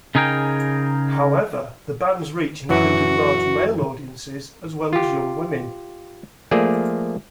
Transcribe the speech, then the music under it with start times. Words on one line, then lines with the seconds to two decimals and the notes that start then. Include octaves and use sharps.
However, the band's reach included large male audiences as well as young women.
0.15 C#3 D#4 G#4 A#4 G5
2.69 F#2 E3 F#3 F#4
4.93 F4 G4
6.51 F3 A3 A#3 G#4 D5